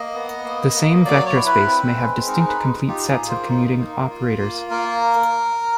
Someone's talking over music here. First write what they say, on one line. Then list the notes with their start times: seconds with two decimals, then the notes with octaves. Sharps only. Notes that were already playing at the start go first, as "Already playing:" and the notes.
The same vector space may have distinct complete sets of commuting operators.
Already playing: A#3 D#5
0.14 B3
0.44 A#3
0.75 A#3
1.05 F#3 D5
1.26 C#5
1.36 E4
1.46 B4
1.66 C4
1.97 G#3
2.27 D#4 A#4
2.48 B4
2.58 D#4
2.88 F4 G4
3.08 G#4
3.18 A#3
3.29 C5
3.49 D#4
3.79 A#3
4.10 F4
4.40 A#3
4.70 A#3 A#4